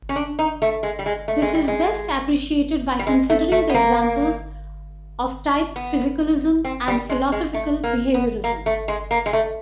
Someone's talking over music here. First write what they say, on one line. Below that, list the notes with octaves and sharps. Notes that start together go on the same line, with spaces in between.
This is best appreciated by considering the examples of type physicalism and philosophical behaviorism.
C#4
D4
D#4
A3
G#3
G3
G#3
A3
G#3
G3
G#3
G3
G#3
A3
A3
B3
A#3
B3
C4
G3
G#3
G#3
A3
A#3
B3
A#3
A3
G#3
A#3
G#3
A3